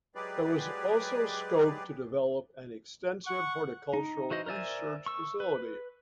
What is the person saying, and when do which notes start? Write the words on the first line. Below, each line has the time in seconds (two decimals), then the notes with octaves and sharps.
There was also scope to develop an extensive horticultural research facility.
0.15 F#3 G#3 G4 G#4 B4 D5
3.27 F#5 C#6
3.93 D#4
4.30 E3 F#4 C5 D#5
4.46 A#4 C5 D5 E5 G#5
5.06 C#6 E6
5.40 B4